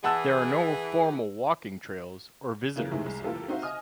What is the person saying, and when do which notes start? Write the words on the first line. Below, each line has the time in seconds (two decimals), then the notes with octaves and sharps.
There are no formal walking trails or visitor facilities.
0.04 E3 G#4 F#5 A5 E6
2.76 C#3 E3 A#3
2.91 A2 C3 D#3 E3 G#3 A3
3.04 C2 G#3
3.24 E3 A#3 F4 G4 A4
3.48 C4 D#4 F#4 C5 E5 F5
3.62 D#5 G#5 D#6 F6